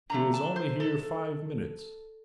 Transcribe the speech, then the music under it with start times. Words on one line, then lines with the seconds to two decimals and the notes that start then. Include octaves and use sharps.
He was only here five minutes.
0.10 G2 D3 F3 A3 A#5
0.34 A5
0.56 C5
0.80 A4